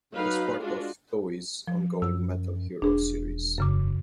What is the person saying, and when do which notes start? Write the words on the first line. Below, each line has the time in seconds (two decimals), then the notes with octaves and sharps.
It was part of Toei's ongoing Metal Hero Series.
0.15 F#3 D#4 B4 F5
0.60 G#3 D4 F4 F#4
1.68 F3
2.02 F#2 E6
2.82 E1 D4 G#4
3.58 F#2 C#3 D6